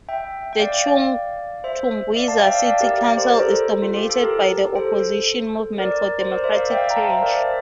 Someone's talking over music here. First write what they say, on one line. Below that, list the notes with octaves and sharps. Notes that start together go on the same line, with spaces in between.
The Chitungwiza City Council is dominated by the opposition Movement for Democratic Change.
E5 G5
G5
D5 F5
C5 E5
D5 F5
F5 A5
E5 G5
D5 F5
D5 F5
G4 A#4
G4 A#4
D5
C5
A#4
A4 C5
F4
G4
A4
G4 A#4
A4 C5
A#4 D5
C5
A#4 D5
C5 E5
D5 F5
E5 G5
F5
E5 G5
A#5
F5 A5
C5 E5
A#4 D5
C5 E5